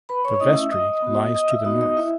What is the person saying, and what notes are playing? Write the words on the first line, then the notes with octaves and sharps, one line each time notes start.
The vestry lies to the north.
B4 B5
C#5 C#6
A3 C#4 E4 D#5 D#6
E5 E6
D#5 D#6
B3 F#4
D#5 D#6
E5 E6
B3 D#4 F#4 D#5 D#6
D#5 D#6
E4 E5